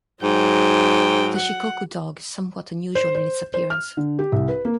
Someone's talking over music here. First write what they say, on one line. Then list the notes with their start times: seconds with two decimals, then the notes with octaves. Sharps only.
The Shikoku dog is somewhat unusual in its appearance.
0.23 G#2 F#3 G5
1.37 F#5
2.95 C5
3.15 C5
3.54 C5
3.70 F6
3.97 D3
4.19 G4
4.32 C2
4.48 B4
4.65 A#3